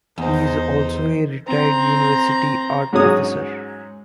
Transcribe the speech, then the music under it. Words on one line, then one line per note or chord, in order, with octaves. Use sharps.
He is also a retired university art professor.
E2 D#4 C5
C4 A#5
G#2 F#3 G#3 C#4 D#6